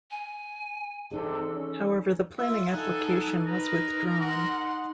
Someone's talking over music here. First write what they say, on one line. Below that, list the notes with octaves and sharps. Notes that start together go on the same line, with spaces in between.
However, the planning application was withdrawn.
G#5
C3 E3 D4 D#4 G#4 A4
C#4
F4 E5
D#4 A4 F#5 G#5
A#4 B4
F#5 C6